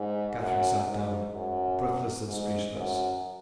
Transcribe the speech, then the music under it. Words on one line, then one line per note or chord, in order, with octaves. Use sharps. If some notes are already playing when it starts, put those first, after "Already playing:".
Catherine sat down, breathless and speechless.
Already playing: G#2
F#2
G#2
F#2
G#2
F#2